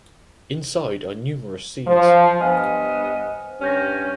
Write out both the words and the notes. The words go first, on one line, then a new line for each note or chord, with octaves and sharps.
Inside are numerous seeds.
F3
G2 B3 C5 D#5 G#5 F6
G2 C#4 F6 G6 A#6